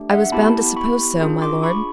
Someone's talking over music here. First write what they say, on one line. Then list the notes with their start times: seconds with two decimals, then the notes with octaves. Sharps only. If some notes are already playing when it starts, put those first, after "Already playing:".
"I was bound to suppose so, my lord."
Already playing: A3 D4 G4
0.10 E5 F#5
0.32 B3 E4 G4 A5 B5
0.76 B5 C#6
1.20 D4 F4 G#4
1.42 C6 D6
1.63 B5 C#6